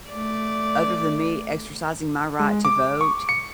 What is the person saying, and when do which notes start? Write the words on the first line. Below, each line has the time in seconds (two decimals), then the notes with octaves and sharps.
other than me exercising my right to vote
0.10 A3 D5
2.40 G#3
2.65 D6
3.01 C#6
3.29 C#7